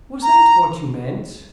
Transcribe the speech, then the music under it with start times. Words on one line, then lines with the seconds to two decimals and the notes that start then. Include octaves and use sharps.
"Was that what you meant?"
0.22 A#5